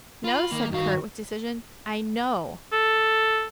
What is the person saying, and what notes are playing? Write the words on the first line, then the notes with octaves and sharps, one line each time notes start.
"No," said Kurt with decision, "I KNOW."
F4 B5
D#3 A#3
G2 F#4 F5
A4